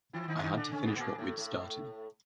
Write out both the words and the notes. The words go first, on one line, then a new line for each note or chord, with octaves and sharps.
I had to finish what we'd started.
E3 E4
D#3 D#4
D#3 D#4
D3 D4
C#3 C#4
B2 B3
B3
A#2 A#3
A2 A3
A2 A3